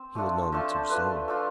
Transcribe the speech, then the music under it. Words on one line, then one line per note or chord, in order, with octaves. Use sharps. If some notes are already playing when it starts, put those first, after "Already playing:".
He was none too soon.
Already playing: C4
F3 A3 D4 F4
F3 A3 D4 F4 A5
C5
A3 D4 F4 B4
A3 D4 F4